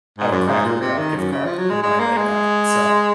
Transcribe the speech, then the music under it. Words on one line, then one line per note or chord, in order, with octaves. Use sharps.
I have a Cracker Barrel gift card in mine right now, so
G#2
F#2
G#2
A#2
C3
D#3
F#2
C#3
F3
F#3
G#3
G#3
A#3
G#3